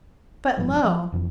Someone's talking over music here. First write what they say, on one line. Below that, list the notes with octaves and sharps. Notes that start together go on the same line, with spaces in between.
But lo!
F#1 G#2 F3 G3
F3
F1 F2 E3